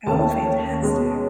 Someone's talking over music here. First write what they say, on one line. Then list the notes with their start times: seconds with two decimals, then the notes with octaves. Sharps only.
Oh, fantastic.
0.06 D#2 D#3 A3 C#4 A5
0.82 B2 G#3 C#4